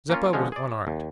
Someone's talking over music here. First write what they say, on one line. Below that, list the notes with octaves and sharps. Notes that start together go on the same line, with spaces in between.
Zeppa was unarmed.
A#3 C#4 F4
D3 F3 G#3 C#4 C#5
G#4 D5
D#2